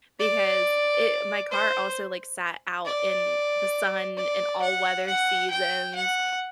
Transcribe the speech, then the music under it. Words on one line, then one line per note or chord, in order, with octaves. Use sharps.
because i my car also like sat out in the sun and all weather seasons,
D5
C5
D5
D5
F#5
F#5
G5
F#5